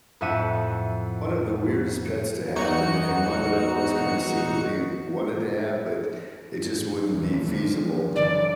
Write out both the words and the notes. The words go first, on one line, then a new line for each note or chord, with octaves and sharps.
One of the weirdest pets to have, and and one that I've always kinda secretly wanted to have, but it just wouldn't be feasible,
F2 A2 E5 F#5 D#7
E2 D#4 F#4 C#7
E2 E3
D#2
D3 F3
F#1 D3 E3 D5